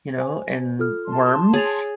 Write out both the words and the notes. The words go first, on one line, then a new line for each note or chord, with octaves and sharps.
you know, and worms.
C5 G#5
F4 A4 F6
A5 C6
G#4 C#5 A6 F7